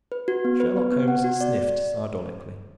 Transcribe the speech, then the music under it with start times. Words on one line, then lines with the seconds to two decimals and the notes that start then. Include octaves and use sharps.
Sherlock Holmes sniffed sardonically.
0.12 B4
0.28 F#4
0.45 B3
0.60 B4
0.76 B3
0.92 B3
1.08 F#5
1.24 F#4
1.41 D5
1.56 D5